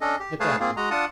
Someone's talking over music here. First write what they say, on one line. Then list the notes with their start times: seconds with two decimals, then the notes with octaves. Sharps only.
"Get down."
0.01 C#4 D4 A4 D#5
0.20 G4
0.40 A3 G#4 B4 C#5 F5 A5
0.60 A#3 C4 F4 G#4
0.77 G#3 F#4 D#5 A#5
0.91 D4 F4 F#5 A5 D#6